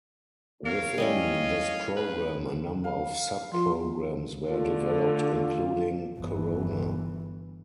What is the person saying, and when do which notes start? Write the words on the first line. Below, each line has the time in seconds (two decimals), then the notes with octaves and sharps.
Within this program a number of sub-programs were developed including Corona.
0.65 A#4 C#5 F5
0.98 G3 C#4 E4 D#5
1.96 B4
2.83 F5
3.52 F3 F4 C6
4.50 D3 A3 F4
6.18 G1 E3